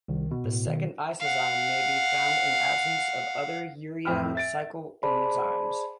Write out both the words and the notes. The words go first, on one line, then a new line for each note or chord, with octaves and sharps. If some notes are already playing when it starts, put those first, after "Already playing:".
The second isozyme may be found in the absence of other urea cycle enzymes.
C2 D#3
B2
A2
D#3
F5 F#5
F2 A2 C4 B5 F6
E5 A6 D7
G#4 C5 D5 A5 B5